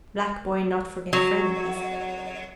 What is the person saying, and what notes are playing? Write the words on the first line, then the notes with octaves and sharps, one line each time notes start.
"Black boy not forget friend," he said.
F#3